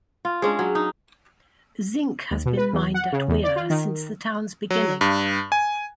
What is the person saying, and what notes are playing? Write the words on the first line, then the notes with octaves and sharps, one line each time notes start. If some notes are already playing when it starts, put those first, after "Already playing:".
Zinc has been mined at Weir since the town's beginning.
F4
G#3 C#4 D4
F#3
D#4
D#2
B2
B4
E2
F#5
C#3
E2
D5
F4
D#3
F#3
G2
G#5